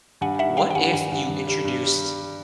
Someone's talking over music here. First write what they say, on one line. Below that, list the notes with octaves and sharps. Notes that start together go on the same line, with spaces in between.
what if you introduced
G2 F#5 G#5
D#3 E5 F#5
G3 F5 G5
G5
G2 F#5 G#5
G2 F#5 G#5
G2
G2
G3
G2
G3